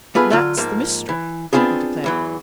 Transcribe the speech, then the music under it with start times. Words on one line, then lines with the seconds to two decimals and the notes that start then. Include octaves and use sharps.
"That's the mystery," he declared.
0.15 A3 B3 F4 G#4 B4
0.30 D3 F#3 F4
0.57 G#2 F3 A#3
1.09 E3
1.53 B3 C4 D4 F4 G#4
2.04 E2 E3 F#3